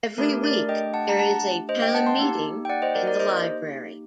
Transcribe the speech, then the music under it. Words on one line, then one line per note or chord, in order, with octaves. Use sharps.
Every week there is a "Town Meeting" in the library.
A3 D4 G4 A#4
A#4 D5
D#5 G5
F#5 A5
A#5
F#5 A5
C5 D#5
D#5 G5
F#5 A5
A5 C6
A#3 D#4 G4
G5
D5 F#5
C5 D#5
A#4 D5
A#4 D5
C5 D#5